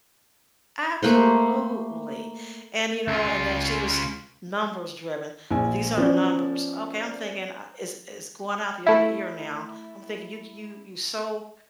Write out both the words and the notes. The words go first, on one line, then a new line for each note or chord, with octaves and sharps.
Absolutely. And, you know, and then she was numbers-driven. "These are the numbers." Okay, I'm thinking, "I It's it's going out the other ear now." I'm thinking, "You g you you're so
A3 A#3 B4 C5
C#2 F4
A#1 G#5
F3 B3 C#4 D5
A3 E4